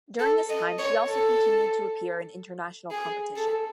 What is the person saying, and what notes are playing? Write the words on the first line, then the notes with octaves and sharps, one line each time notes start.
During this time, she also continued to appear in international competition.
A4
D#5
C#5
A4
G#4
A4